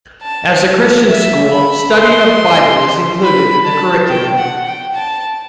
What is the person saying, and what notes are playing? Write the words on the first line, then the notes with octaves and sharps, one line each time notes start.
As a Christian school, studied of bible is included in the curriculum.
A5
E5
B5
C6
B5
A5
G5
F#5
G5
A5